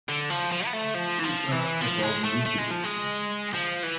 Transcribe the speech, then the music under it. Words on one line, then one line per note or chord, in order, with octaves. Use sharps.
Izla above Nisibis.
D3
F3
F3
B3
A3
F3
E3
F3
E3
F3
G#3
A3
A3
G#3
F3
G#3
F3
E3